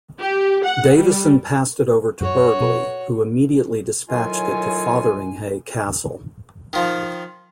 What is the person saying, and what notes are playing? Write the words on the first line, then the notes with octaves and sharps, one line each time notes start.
Davison passed it over to Burghley, who immediately dispatched it to Fotheringhay Castle.
G4
F#5
G3
F#2 F#4 C#5
B2 A4 B4
A2 D#3 F#3 F4 G#5
D#3 F3